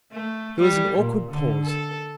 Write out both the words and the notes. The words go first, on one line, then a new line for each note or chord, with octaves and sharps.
There was an awkward pause.
A3
G3
A#2
D3
A4